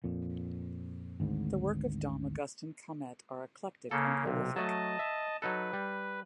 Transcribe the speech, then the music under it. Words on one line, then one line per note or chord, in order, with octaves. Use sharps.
The work of Dom Augustin Calmet are eclectic and prolific.
F2 A#2
G#1 D2 G#2
C#3 A#3 A4
B1 C3
F#3 A3 D#5 A5
E5
F#3 D#4 A4 B4
G3